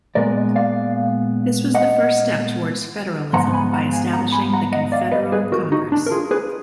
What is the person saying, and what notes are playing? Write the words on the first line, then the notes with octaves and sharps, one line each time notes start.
This was the first step towards federalism by establishing the confederal Congress.
A#2 G#3 B3 A#4 D5
D5 F5
D#5 F#5
G#2 F3 B3 F#5 A#5
G#5 B5
F#5 A#5
F5 G#5
F#5 A#5
G#5 B5
F#5 A#5
D#5 F#5
D5 F5
B4 D#5
G#4 B4
F#4 A#4
D#4 F#4
D4
A#4
F4 G#4
G#4 B4